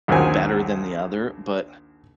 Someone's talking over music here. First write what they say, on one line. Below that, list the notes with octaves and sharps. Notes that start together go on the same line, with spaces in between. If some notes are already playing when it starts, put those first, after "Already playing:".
better than the other, but
A#1 D#2 D#3 F#3 C4 G#5